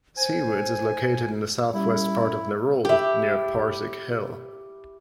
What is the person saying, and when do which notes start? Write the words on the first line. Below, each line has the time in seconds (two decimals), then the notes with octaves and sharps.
Seawoods is located in the south west part of Nerul, near Parsik Hill.
0.17 C5 G#5
1.74 G3 C#4 E4
2.85 E4 G4